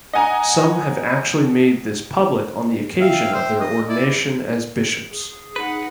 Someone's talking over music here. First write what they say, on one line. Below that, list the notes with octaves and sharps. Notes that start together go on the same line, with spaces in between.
Some have actually made this public on the occasion of their ordination as bishops.
D#5 F#5 G#5 A#5
E5 F5 G5
C5
D#5
E4 D5
G#4
D#4 B4 F#5